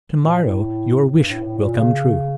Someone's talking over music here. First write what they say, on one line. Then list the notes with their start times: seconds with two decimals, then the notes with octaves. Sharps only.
"Tomorrow your wish will come true."
0.22 A#2
0.38 A2
1.13 G2
1.28 A2
1.44 A2
1.58 A#2
1.74 C#3